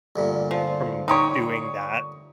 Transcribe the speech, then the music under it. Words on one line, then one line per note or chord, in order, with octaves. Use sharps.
from doing that
D2 G2 A#2
F3
D#4 G4 C#5 C#6 D#6